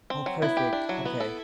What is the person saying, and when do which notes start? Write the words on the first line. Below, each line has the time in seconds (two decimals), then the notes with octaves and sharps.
Oh, perfect, okay.
0.10 C4
0.26 F#3
0.42 B3 E4
0.57 G4
0.73 D4
0.89 F#3
1.05 B3
1.20 A4